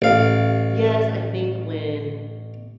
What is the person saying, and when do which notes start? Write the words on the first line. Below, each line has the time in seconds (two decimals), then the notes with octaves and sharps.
Yes, I think when,
0.02 A1 F5